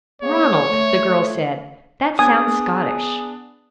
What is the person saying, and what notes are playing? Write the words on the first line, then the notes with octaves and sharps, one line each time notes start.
"Ronald," the girl said, "that sounds Scottish."
G#3 A#3 B3 C#5
A3
B3 D4 G#4 G#5 D#6